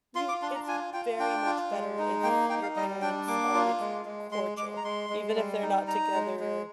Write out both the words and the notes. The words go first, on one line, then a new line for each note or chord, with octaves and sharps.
you it's very much better if your parents are, like, cordial, even if they're not together,
F4 C6
D6
D4 C6
A#5
F4 G#5
F4 G5
D4 G5
F4
G#3
D#4
A#3 G5
D#4 G5
F5
G3 D#5
D4 G5
A#3 D6
F4
G#3
G#3
G#3 C6
G#3 D6
A#5
G#3 C6
G#3
G3
D#4
D#4 A#5
G#3
G#3